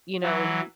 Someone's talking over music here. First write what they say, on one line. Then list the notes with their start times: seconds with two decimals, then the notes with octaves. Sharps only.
you know
0.22 E3 F#3